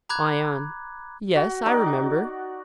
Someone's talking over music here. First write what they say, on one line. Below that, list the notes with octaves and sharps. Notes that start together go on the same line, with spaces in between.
ION: Yes, I remember.
A#5 B5 D6 F#6 G#6
F#4
D#4 F#4 D5